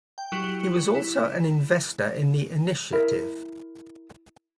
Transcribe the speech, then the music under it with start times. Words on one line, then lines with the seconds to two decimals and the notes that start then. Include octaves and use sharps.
He was also an investor in the initiative.
0.18 G5
0.32 F#3 E4 G4 C#7 F#7
0.95 E4
2.93 E4 A#4 E5